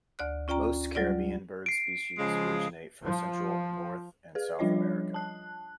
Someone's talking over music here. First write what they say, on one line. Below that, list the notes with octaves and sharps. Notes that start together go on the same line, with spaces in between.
Most Caribbean bird species originate from Central, North and South America.
D2 D5 F#6
C#4 F4 D5 G5 A#5
F#3 G3 F4 D5
C7 D7
C#3 F3 G#3
F3
G#4 B4
F3 G3 D4 F4 C#5 D#5
A5 F#6